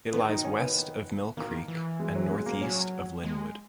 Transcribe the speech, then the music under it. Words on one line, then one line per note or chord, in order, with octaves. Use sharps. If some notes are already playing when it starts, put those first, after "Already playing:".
It lies west of Mill Creek and northeast of Lynnwood.
D#3 B3
D#4
C#4
B3
D#3 A#3
E3
G#3
F#3
G#3
A#3
F#3 C#4
G#3